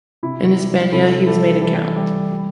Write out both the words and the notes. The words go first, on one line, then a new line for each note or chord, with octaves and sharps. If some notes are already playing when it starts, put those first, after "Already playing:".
In Hispania he was made a count.
C3 E4
G3
C3 E4 A4
G3 E4 A4
E3 E4 A4
G3
G3